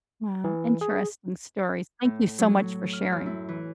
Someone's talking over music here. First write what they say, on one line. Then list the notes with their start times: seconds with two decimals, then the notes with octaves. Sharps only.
Wow. Interesting stories. Thank you so much for sharing.
0.44 E3
0.81 G#4
2.04 A2
2.38 F#3
2.93 F6
3.12 F#2
3.26 E4
3.49 E3